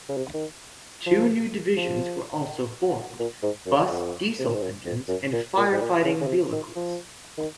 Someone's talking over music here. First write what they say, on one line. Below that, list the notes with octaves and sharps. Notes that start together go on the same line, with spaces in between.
Two new divisions were also formed: bus diesel engines and firefighting vehicles.
C#3
C3
D#3
F3
F3
A#2
G#2
F#2
F2
C3
A#2
G#2
F#2
F2
F#2
A#2
A#2
G#2
A#2
C#3
C#3
C3
D#3
F3
D#3